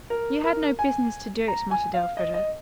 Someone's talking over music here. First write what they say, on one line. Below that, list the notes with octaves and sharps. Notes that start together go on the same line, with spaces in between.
"You had no business to do it," muttered Elfreda.
A#4
A#4
G#5
A#5
G#5
F5
D#5
D#5